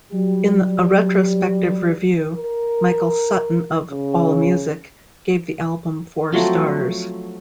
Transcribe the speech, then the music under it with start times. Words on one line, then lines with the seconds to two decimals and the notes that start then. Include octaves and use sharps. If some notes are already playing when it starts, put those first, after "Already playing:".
In a retrospective review, Michael Sutton of AllMusic gave the album four stars.
0.13 F#3 G3 G4
2.38 A#4
3.89 C#3
6.32 F3 F#3 A3 C4